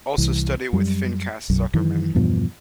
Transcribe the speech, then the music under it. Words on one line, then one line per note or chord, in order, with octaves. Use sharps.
Also studied with Pinchas Zukerman.
C2 E3
F#2 G3
B1 F#2
F#2 D#3 E3
E2 G2 B2 F3